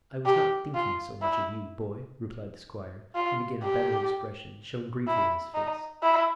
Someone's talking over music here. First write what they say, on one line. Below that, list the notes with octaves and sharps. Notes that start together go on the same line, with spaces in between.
"I was not thinking so much of you, boy," replied the Squire; and again a better expression shone briefly in his face.
G4
F4
E4
F4
G4
E4
D#4
E4